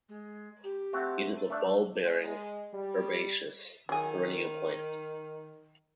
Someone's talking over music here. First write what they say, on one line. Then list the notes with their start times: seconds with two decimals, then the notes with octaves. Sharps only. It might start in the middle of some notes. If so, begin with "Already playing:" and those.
It is a bulb-bearing herbaceous perennial plant.
0.09 G#3
0.64 G4
0.93 A3 C4 F#4
1.34 A4
1.50 A3 D4
2.03 G#3
2.73 G3
3.89 D#3 F#3 G#4